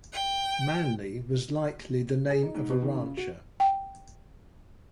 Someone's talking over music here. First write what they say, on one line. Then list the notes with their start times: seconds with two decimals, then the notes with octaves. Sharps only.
Manley was likely the name of a rancher.
0.12 G5
2.30 G#4
2.43 D#4
2.55 G#2
2.70 B2
2.82 D#3
2.95 C#3
3.17 F#4
3.60 G5